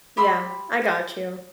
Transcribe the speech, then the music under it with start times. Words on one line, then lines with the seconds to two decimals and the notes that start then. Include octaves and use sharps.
Yeah. I got you.
0.17 G4 B5 C6 E6